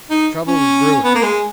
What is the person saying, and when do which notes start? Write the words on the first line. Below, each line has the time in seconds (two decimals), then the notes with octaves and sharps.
Trouble is brewing.
0.10 D#4
0.47 C#4
1.04 B3
1.15 A#3
1.23 G#3